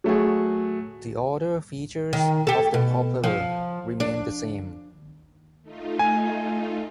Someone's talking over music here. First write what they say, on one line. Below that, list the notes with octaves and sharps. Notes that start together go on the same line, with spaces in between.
The other features of the propeller remain the same.
F#3 A3 F#4 G#4
D#3
G4 A4
B2
F3
D4
A3 D#4 F4
G#5